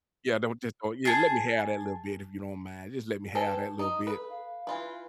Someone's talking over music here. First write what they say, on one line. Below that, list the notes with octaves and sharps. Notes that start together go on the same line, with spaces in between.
yeah, don't just oh, yeah, let me have that little bit, if you don't mind. Just let me have that little bit.
G#4 A5
G#4 A4 B4 G5
D#4 D#6
A4 B4
F5
E3 F4 B4